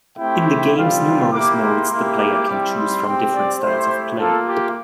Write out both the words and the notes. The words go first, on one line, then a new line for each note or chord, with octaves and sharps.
In the game's numerous modes, the player can choose from different styles of play.
A3 C4 E4 G4 G5
G3 C4 F4 F5
A#3 E4 G4 D6
C6
A#3 E4 G4
D6
G3 C4 E4 G4
C6
C4 G4
D5
A3 E4 G4 C5
A#3 F4 A4
G4